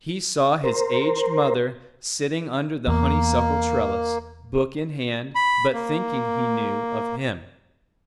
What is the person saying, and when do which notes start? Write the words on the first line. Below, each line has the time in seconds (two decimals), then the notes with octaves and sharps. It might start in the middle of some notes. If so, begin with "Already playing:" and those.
He saw his aged mother sitting under the honeysuckle trellis, book in hand, but thinking, he knew, of him.
0.64 A#4 C5
2.87 E2 A#3
5.35 B5
5.73 A#3